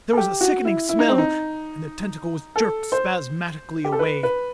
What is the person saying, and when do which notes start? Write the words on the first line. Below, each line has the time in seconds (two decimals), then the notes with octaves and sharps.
There was a sickening smell--and the tentacle was jerked spasmodically away.
0.13 A4
0.17 G4
0.41 F#4
0.65 E4
0.89 E4
0.99 D#4
1.09 C4
1.18 D#4
2.56 A4
2.92 C5
3.84 G4
3.92 A4
3.99 B4
4.23 B4